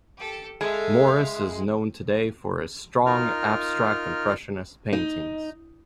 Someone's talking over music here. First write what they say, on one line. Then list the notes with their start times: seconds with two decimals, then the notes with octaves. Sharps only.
Morris is known today for his strong Abstract Impressionist paintings.
0.17 G4 A4
0.61 G#3 A4 E5 F5
3.06 D#4 F4 A#4 F6
4.93 D#4